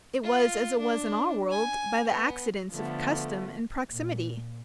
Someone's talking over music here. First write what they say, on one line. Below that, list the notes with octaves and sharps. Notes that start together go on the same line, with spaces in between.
It was as it was in our world, by the accidents of custom and proximity.
F4
D4
G#5
B3
D3 F3 A3 B3
A#2